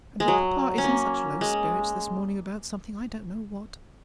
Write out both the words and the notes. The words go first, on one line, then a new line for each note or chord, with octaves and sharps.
And your papa is in such low spirits this morning about something--I don't know what.
G#3
F#3
C#4
A#3
G#3